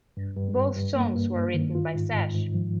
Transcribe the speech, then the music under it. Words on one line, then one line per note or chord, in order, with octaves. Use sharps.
Both songs were written by Sash!
G2
G2
G2
G2
A#3
G2
G2
D#3
F4
G#2
G#2
G#2
F3